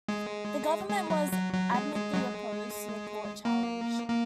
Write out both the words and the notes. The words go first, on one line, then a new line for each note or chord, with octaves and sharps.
The Government was adamantly opposed to the court challenge.
G#3
G#3
F#3
F#3
F#3
G#3
G#3
F#3
G#3
A#3
A#3